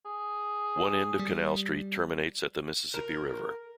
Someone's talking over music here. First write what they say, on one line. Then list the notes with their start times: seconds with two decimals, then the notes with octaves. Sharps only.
One end of Canal Street terminates at the Mississippi River.
0.06 G#4
1.19 G3
2.94 A#4